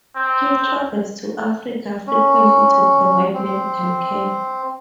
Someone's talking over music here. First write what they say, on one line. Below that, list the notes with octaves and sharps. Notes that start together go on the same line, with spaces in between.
He travels to Africa frequently to provide medical care.
C4
C#4
C4